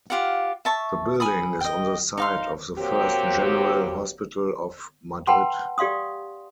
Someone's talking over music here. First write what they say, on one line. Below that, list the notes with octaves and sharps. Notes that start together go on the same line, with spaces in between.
The building is on the site of the first General Hospital of Madrid.
F4 G4 F5 F#5
E5 A5 C#6
G#5 B5 D#6
D#5 G5
D#4 F5 C6
F#3 A#3 C4 G4
B4 F#5 G5 A5 B5 C6
G4 D5 F5 C6 D#6